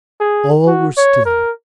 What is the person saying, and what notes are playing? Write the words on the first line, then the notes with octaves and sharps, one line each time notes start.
All were still.
G#4
F#4
C#5
A#4